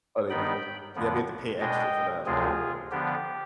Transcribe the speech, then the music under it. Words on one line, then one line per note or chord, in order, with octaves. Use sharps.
Oh, they do? Yeah, but have to pay extra for that, right? Yeah.
G2 D#3 B3 D#4 G5 B5
F2 D3 F3 B3
B2 G#3 D4 D#5 G5
D2 C3 F3 C4 F4 G#4
D3 F3 B3 D4 G4